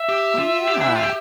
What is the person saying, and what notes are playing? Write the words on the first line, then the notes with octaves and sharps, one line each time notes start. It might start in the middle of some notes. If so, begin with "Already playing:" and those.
Oh, yeah.
Already playing: E5
G4
F4
G4
D4
E4
F4
G4